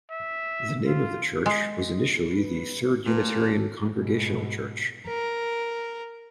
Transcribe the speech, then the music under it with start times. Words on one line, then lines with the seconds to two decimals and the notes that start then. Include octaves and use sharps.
The name of the church was initially the Third Unitarian Congregational Church.
0.10 E5
0.86 F4
1.46 G#3
2.26 B4
3.06 A#2 D3 A3 C#4 A4 B4
3.92 G#2 B2
5.07 A#4